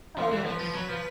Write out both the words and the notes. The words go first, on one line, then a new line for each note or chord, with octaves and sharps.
Oh yes.
F3 C5
E3
F3 B4
F3
F#3 B4
F3